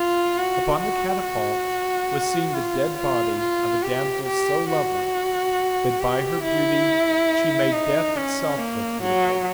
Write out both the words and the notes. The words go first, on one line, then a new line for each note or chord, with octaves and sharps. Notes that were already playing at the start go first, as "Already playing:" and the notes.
Upon the catafalque was seen the dead body of a damsel so lovely that by her beauty she made death itself look beautiful.
Already playing: F4
F#4
F#4
F#4
F4
F4
F4
G4
G4
F#4
G4
E4
D#4
C#4
A#3
F#3